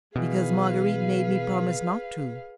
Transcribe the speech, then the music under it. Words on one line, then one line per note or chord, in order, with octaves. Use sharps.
"Because Marguerite made me promise not to."
B2 E3 G#4 B4 F5